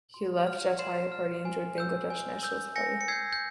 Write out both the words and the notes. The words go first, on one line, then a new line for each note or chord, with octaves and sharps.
He left Jatiya Party and joined Bangladesh Nationalist Party.
C6
F6
C6 C7 E7
F6
G#5
E6 G6
G#5
E6 G6
G#5 A#6 C#7
C#7
E6 G6 G#6 C7
G6